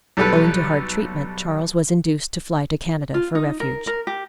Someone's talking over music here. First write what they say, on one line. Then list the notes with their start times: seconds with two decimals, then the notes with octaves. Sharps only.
Owing to hard treatment, Charles was induced to fly to Canada for refuge.
0.17 B1 G3 A4 B4
3.14 F4
3.35 D#4
3.60 A#4
3.87 A#4
4.07 G4